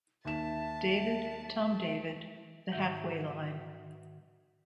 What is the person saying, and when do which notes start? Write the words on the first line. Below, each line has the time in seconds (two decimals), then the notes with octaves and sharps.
David, Tom David, the half-way line.
0.25 D#2 E5 A5 E7
2.72 G#2 D#3 F#4 E5 F#5 G6